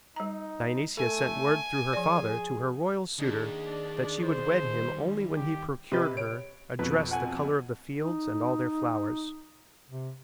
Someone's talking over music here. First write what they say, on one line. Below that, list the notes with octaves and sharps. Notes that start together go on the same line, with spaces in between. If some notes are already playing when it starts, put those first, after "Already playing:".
Dionysia sent word through her father to her royal suitor that she would wed him only when he procured her a dress the colour of the fields and all their flowers.
G3 D#4 A#5
A3 A4 G#5
F3 G#4 D5
D#2 D4 G#4
D4 D5
C5
G3
G4
C3 G4 B4 D#5
C#5 D7
F2 B2 B4
F#5 G#5
D#4
C3